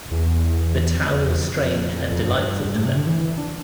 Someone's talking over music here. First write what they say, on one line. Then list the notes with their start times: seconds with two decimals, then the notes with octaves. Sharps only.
The town was strange and delightful to them.
0.11 E2
0.96 F2
1.17 E2
1.38 F2
2.12 F2
2.23 G2
2.65 G2
2.75 A2
2.85 C3
2.96 D3
3.07 E3
3.38 D4